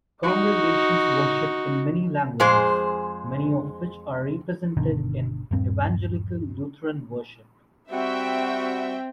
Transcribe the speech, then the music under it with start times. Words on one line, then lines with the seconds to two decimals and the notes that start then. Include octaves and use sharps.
Congregations worship in many languages, many of which are represented in "Evangelical Lutheran Worship".
0.23 D#4 F#4
2.40 F2 G#3 G#4 C5
4.77 G1 B2 D3 D#3
5.51 D#1 G2 C4
7.91 G3 C4 F#4 E5 G5